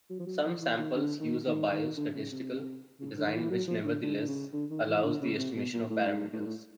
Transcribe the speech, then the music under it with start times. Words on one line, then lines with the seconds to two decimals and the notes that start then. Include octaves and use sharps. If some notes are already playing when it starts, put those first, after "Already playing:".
Some samples use a biased statistical design which nevertheless allows the estimation of parameters.
0.10 F#3
0.19 F3
0.26 F#3
0.44 F3
0.61 E3
0.78 D#3
0.95 D3
1.20 D#3
1.47 D#3
1.72 D#3
1.97 D3
2.15 C#3
2.32 C3
3.00 C#3
3.17 D3
3.27 D#3
3.34 E3
3.51 F#3
3.68 F3
3.84 D3
4.03 D3
4.18 D3
4.28 C#3
4.53 D3
4.70 D#3
4.88 E3
5.04 D3
5.21 C#3
5.38 C3
5.55 B2
5.73 A#2
5.90 A2
6.07 G#2
6.33 A2
6.39 G#2
6.46 A2